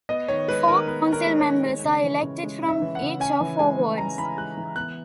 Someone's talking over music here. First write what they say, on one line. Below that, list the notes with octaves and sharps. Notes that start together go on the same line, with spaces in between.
Four council members are elected from each of four wards.
B3 D#5
D#3 C#5
G#3 B4
D#3 A#4
B3 B4
D#3
A#4
G#3
C#5
D#3
G#3
C#3
E3
C#3
G#3
C#3
E5
E3
F#5
C#3
C#4 G#5
E3
G#3 G#5
E3
C#4 A#5
E3 B5
G#3 F#6
E3
B3 F#6